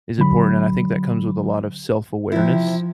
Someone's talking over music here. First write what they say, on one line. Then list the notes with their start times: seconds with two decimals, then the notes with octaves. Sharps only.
is important, and I think that comes with a lot of self-awareness
0.18 D3 F#3 B5
2.32 C3 F3 E4